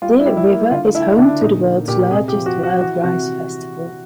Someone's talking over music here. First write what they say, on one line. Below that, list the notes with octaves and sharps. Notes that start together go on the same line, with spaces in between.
Deer River is home to the world's largest Wild Rice Festival.
G3 F4
E4
G3
E4
A#3
D3 F4
A3 E4
D3 D4
A#2 D#4
A#3
A#2 G4
C3 G#4
G4
F3
F#4
F3
F#4
E3 F#4
C3 F#4